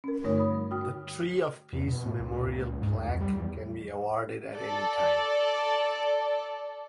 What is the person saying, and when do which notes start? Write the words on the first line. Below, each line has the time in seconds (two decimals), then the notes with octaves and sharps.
The Tree of Peace Memorial Plaque can be awarded at any time.
0.04 C#4 A#4
0.24 G2 D3 A3 D#4 C#5 D#6
0.38 C#5 B5 D#6
0.50 G3
0.71 F#4 G5 D#6 F6
1.73 E2
1.87 B2
2.05 A2
2.19 C#2
2.32 A#2
2.47 C#2
2.62 C#2
2.81 G#2
2.95 D2
3.08 F2
3.21 G3
3.36 E2
4.56 A4 D5